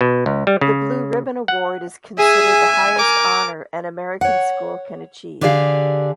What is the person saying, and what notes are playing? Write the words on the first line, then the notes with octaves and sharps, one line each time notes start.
The Blue Ribbon award is considered the highest honor an American school can achieve.
B2
C#2
G3
C#3
F#5
G#4 E5 G#5
A#4 D6
C#5 F#5
D3 G4 G#4 D5 D#5 F5